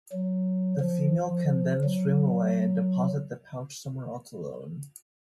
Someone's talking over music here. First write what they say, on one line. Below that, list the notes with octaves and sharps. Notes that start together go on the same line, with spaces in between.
The female can then swim away and deposit the pouch somewhere else alone.
F#3
F3
F#3